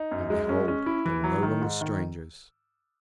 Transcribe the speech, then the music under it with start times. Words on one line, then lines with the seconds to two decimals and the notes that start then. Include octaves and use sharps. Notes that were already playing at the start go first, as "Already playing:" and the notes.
And behold, they were no longer strangers.
Already playing: D#4
0.11 F#2
0.30 G#3
0.49 C#4
0.68 C#4
0.86 E4
1.05 E3
1.24 F#3
1.43 D#3
1.61 G#2
1.81 D#3